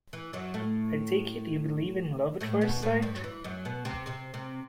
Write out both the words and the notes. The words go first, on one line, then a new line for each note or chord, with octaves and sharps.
I take it you believe in love at first sight?
E3
F#2 F#3
A2 A3
A2 A3
B2 B3
A2 A3
G2 G3
F#3
E3
F#2 F#3
B2 B3
C3 C4
C3 C4
C3 C4